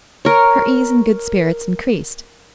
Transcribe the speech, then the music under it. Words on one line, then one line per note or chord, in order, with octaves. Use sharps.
Her ease and good spirits increased.
A#4 C#5